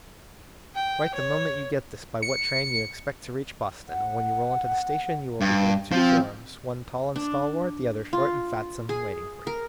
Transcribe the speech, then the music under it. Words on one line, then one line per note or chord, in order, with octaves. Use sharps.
Write the moment you get this by what train you expect to reach Boston, and when you roll into the station you will behold two forms, one tall and stalwart, the other short and fatsome, waiting for you.
G5
C#5
C#7
F#5
G2
F3 C4
D4
F4
G#4
A#4